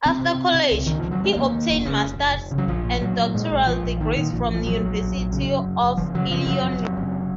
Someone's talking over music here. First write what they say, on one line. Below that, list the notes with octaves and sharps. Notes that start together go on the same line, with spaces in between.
After college, he obtained masters and doctoral degrees from the University of Illinois.
C3 C4
C3
C3
C3
C#2
C#2 D#3
C3 F3
F#3
C3 G#3
D#2 A#3
D#2
F1
C#3
F1
F1
F1
C#3
F#3
A#1 F3
A#2
A#2 F#3
A#2
A#2 G#3
A#1
A#1 F3
A#1
A#2 D#3
A#2 D#3
A#1 F3
A#2
F3
A#1 F#3
A#1
A#1
A#1
C#3
F#1
F#1
F#1
F#1 F3
C#3 F#3
C#3 F3
F#1 F#3
F2
C3
F#1